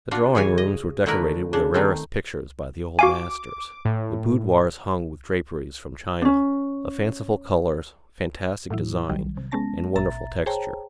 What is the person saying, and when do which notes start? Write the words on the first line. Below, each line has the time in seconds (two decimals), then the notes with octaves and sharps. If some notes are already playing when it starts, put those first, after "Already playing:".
The drawing-rooms were decorated with the rarest pictures by the old masters, the boudoirs hung with draperies from China, of fanciful colors, fantastic design, and wonderful texture.
0.11 D4 F4 F#4
0.35 C#3 E3 C#5 G#5
0.58 D#5
1.06 D3 A3 D4 E4 A#4 B4
1.53 C#3 D4
1.74 D#3 A3 C4
2.99 F#4 F5 G#5 D6
3.85 A2
6.22 C#4 D4
8.70 A2 E3 F#3 E4
9.10 B1 D#3 F#3 G3
9.37 C3
9.51 G#3 B3 C#4 A5 A#6
9.96 G#1 A#2 E5 A#5 A6
10.46 G#4 C5 C#5 G5 A5 A#5